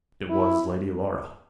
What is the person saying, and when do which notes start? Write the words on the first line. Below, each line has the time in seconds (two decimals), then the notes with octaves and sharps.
"It was Lady Laura."
0.30 E4